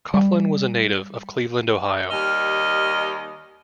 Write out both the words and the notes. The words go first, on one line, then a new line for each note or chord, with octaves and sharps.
Coughlin was a native of Cleveland, Ohio.
G3
D#2 G3 D#5 F6